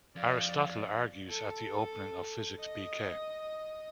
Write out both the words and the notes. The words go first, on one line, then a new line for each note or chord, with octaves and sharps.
Aristotle argues at the opening of Physics bk.
F2 D5 F5
A4
D#5